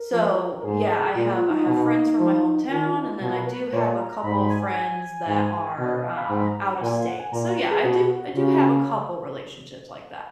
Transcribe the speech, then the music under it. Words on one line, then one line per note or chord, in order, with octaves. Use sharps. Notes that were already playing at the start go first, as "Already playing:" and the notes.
so yeah, I have I have friends from my hometown and then I do have a couple friends that are, uh, out of state. So, yeah, I do I do have a couple relationships like that.
Already playing: A#4
F3
A#4
G#2 G#4
A#2 F4
F4
D#4
B2 D#4
F3
D#3 F4
F4
D#4
F4
B2 F4
A#4
B4
B4
A#2 C#5
A#5
A#5
G#2 B5
B5
G#5
G#5
G#2
B2 D#5
D#5
F5
B5
G#2 B5
A#5
A#5
F#5
A#2 G#5
G#5
F#5
G#5
A#2 A#5
A#5
B4
G#4
B2 F#4
C#3 F4
F#4